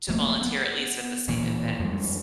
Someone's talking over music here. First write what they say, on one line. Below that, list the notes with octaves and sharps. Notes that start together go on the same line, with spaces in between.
to volunteer, at least at the same events.
E1 F3 A3 A#3
B3
D1 A#2 E3 A#3
F2 F3 G3 G#3